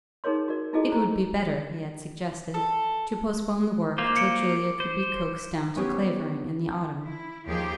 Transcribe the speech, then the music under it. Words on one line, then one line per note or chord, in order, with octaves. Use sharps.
It would be better, he had suggested, to postpone the work till Julia could be coaxed down to Clavering in the Autumn.
D#4 G#4 A#4 C#5 C6
F#4 A#4 D5
D#4 E4 F#4 G#4 A4 D#5
C5 A#5
A4
A#3 F4 C5 D6
C#7 D7
C5
B3 C#4 G4 G#4
E4
D#2 F3 G4 G#4